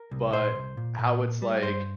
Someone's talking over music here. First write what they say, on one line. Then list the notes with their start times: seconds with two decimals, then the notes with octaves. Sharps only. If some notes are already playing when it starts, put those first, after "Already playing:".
but, how it's like
Already playing: A#4
0.11 C2
0.33 A#2 C5
0.55 C2
0.77 A#2
0.99 A#2
1.20 A#3
1.42 G3
1.63 G2 C5